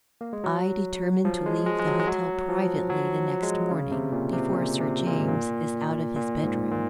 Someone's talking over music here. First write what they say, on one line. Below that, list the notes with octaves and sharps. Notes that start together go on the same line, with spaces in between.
I determine to leave the hotel privately the next morning before Sir James is out of his bedroom.
A#3
G#3
F#3
F3
G#3
G#3
G#3
F#3
G#3
F#3
F3
F#3
G#3
C#3
C3
A#2
C3
A#2
C3
A#2
G#2
A#2
A#2
G#2
A#2